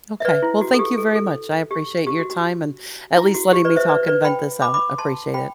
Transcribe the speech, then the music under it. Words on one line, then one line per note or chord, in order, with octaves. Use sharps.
Okay. Well, thank you very much, I appreciate your time and at least letting me talk and vent this out, appreciate it.
E5
B4 D5
E4
F#4
A4
G4
A4
A4
G4
G4
F#4
F#4
E4
F#4
G4
B4 D5
C5 E5
B4 D5
B4 D5
G5 B5
B5 D6
B5 D6
A5 C6
G5 B5